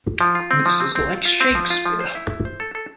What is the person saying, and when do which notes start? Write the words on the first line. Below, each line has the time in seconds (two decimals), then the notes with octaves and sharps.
This is like Shakespeare!
0.21 F3
0.35 F4
0.51 C4
0.66 F3
0.80 C4
0.95 C4
1.10 F4
1.25 F4
1.40 C4
1.55 F3
1.70 F4
1.86 F3
2.00 C5
2.15 E4
2.30 E4
2.45 C5
2.60 A4
2.75 A4